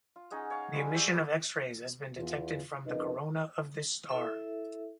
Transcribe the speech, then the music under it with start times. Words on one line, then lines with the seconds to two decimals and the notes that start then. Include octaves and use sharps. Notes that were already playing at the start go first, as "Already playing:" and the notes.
The emission of X-rays has been detected from the corona of this star.
0.16 F4
0.31 C#4 D#4 G#4 F#5
0.50 C#5 F5 C#6
0.73 F3 G3 G#3
0.95 D5 E5 G5
1.11 B3 F#4
2.17 E2 F4
2.86 F2 C#3 D#4 A#4 B4 D#5
4.09 E4 A4 E5